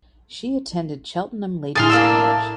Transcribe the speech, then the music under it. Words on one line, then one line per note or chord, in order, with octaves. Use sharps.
She attended Cheltenham Ladies’ College.
A2 G#4 C6 F6 A6
A#3 D4 E6